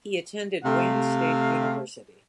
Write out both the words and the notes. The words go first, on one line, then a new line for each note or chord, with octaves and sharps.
He attended Wayne State University.
C3 A3 F5